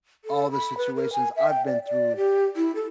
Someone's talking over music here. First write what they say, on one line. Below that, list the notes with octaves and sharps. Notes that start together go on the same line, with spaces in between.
all the situations I've been through
A4
B5
B4
A#4
G#5
E5
G5
D5
D5
G4
E4
A4